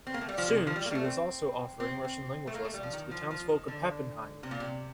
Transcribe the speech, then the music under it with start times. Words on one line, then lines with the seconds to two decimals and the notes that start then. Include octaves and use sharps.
Soon she was also offering Russian language lessons to the townsfolk of Pappenheim.
0.07 C4
0.14 A#3
0.21 A3
0.29 G3
0.38 F3
0.48 C3
0.57 D#3
0.67 F3
0.76 G3
0.86 A#3
0.91 G3
0.95 A3
1.04 C4
1.80 C4
2.05 C4
2.47 A3
2.55 A#3
2.65 A3
2.74 G3
2.83 F3
2.93 D#3
3.11 F3
3.31 F3
3.49 D#3
3.68 D3
4.43 C3
4.51 A#2
4.60 C3